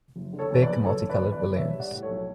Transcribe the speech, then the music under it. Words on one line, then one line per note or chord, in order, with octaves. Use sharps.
Big multicolored balloons.
F#1
D3
A4 C#5
E2
B4 D5
F#1
F#1 A4 C#5
D3
B4 D5
E2
B4 D5
F#1
D4 C#5 E5
G3
D5 F#5
A2
A4 C#5
B1